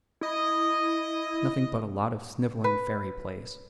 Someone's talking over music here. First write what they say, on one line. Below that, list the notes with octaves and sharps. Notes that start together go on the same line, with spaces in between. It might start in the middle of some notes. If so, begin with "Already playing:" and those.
Nothing but a lot of snivelling fairy plays.
E4 D#5
B4